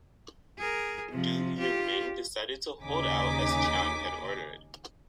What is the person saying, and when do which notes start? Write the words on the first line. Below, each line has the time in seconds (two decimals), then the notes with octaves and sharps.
Du Yuming decided to hold out as Chiang had ordered.
0.58 G#4 A#4
1.11 C3 F3
1.59 F4 G4
2.83 D#2 C#3 D#4 G#5 D6 B6